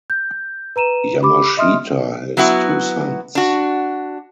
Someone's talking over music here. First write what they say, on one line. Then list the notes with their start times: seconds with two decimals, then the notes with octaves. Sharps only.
Yamashita has two sons.
0.10 G6
0.76 B4 A#5 D#7 E7
1.22 G4 B5 D6
1.57 D#5 E5 C6 D#6 F6
2.37 F#3 B3 E4 F#4
3.35 D4 F#4